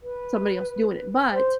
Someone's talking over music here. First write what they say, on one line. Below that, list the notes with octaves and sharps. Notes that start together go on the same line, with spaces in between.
somebody else doing it, but
B4
C5